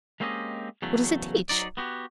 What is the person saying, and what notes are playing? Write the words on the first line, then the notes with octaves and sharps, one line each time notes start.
What does it teach?
G#3 A#3 C4 C#4 G4 D#5
E2 C#3 F#3 A3
F#3 D#4 D5
B3 F#4 G4